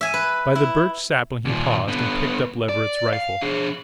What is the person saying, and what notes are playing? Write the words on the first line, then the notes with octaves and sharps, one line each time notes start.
By the birch sapling he paused and picked up Leverett's rifle.
E5 G#5
B4
E4
D#2 A#2
D3 B3
D5
F5
D4 G#4